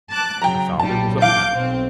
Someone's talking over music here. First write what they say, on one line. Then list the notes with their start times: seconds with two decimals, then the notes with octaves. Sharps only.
I found it was a man.
0.11 A5 D6 F#6
0.42 C#3 F#3 G5 A#5
0.80 B1 A#2 G3 A5
1.22 F5 A5 D6 G6
1.55 B1 C4